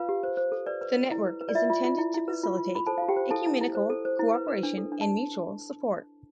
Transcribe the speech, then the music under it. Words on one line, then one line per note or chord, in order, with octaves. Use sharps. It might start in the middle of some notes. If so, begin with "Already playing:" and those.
The network is intended to facilitate ecumenical cooperation and mutual support.
Already playing: F4 B4 F5
G4
C5
C5
A4
B4 D5
B4
F4
E4
B4
B4
D5
F4 E5
F4
F4
E4
E4
B4
F4
F4
F4 B5
A4 C5 A5
F4 F5
G4 G5
C5
E4 A4 A5
E4
E4
C5
A4
C5
E4
B4
B4
D4
A4
D4
A5